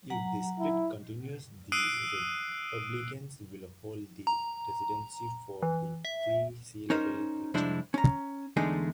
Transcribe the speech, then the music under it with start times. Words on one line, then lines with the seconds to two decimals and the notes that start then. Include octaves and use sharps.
If this split continues, the Republicans will hold the Presidency for the foreseeable future.
0.10 F#3 F#5 A#5
0.60 E4
1.72 D#6 E6 F#6 C7 D7 D#7
4.27 A#5
5.62 E3
6.05 E5
6.90 C#4 D#4 A#4 C5
7.54 C2 F2 G#3 D4 E4 C5
7.94 C#4 A#5
8.57 E2 D3 G#3 A3 D#4 G#4